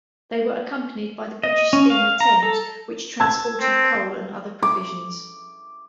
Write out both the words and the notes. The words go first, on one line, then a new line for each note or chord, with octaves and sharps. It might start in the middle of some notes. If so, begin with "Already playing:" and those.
They were accompanied by the British Steamer "Thames", which transported coal and other provisions.
D#5
C#4
F5
A#5
A4
A5 E6 G#6
C4
D6